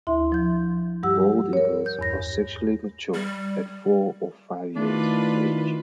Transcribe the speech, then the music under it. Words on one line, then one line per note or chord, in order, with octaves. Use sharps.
Bald eagles are sexually mature at four or five years of age.
D2 E4 E5 C6
F3 G6
G2 G3 G4 F#5 E6
A#4 C#5
G6
E2 G2 A#6
G3
D#3 A3 D4 E4 F4 B4